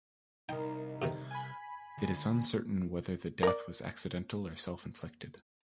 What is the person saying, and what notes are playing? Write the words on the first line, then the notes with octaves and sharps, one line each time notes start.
It is uncertain whether the death was accidental or self-inflicted.
C2 D#4 A#4 G5
A2 C3 D#3
G#5 B5
D2
A#4 D5